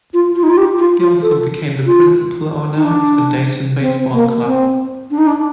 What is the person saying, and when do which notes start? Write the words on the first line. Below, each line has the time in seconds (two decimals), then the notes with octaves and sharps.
He also became the principal owner of the Dayton baseball club.
0.14 F4
0.36 F4
0.43 D#4
0.50 F4
0.57 G4
0.78 F4
1.00 F4
1.22 A4
1.86 F4
2.77 D#4
2.84 D4
3.81 C4
4.13 A#3
4.46 C4
5.11 D4
5.18 D#4
5.27 D4